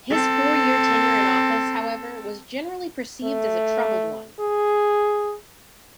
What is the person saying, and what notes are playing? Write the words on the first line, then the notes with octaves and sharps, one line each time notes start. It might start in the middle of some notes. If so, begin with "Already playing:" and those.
His four-year tenure in office, however, was generally perceived as a troubled one.
C4 A4
A3
G#4